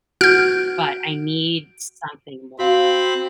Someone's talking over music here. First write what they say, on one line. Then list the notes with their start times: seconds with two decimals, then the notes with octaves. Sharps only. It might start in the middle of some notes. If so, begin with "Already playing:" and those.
but I need something more,
0.21 F#4 F6 G6 D7
2.59 C4 F#4 F5 B5